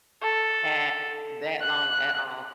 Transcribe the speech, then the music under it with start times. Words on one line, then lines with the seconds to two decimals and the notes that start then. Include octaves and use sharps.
At that long at all.
0.23 A4
1.62 F#6